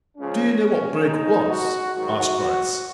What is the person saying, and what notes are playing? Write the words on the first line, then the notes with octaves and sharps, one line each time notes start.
"Do you know what Brake was?" asked Bryce.
C#2 C#3 F3 C#4
D#2 D#3 G#3 D#4
F#4
G#2 D#3 F#3 F#4